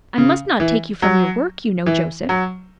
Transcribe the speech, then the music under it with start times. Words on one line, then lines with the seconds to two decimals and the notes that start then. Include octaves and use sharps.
"I must not take you from your work, you know, Joseph."
0.18 C#3
0.60 E3
1.02 F#3
1.86 E3
2.29 F#3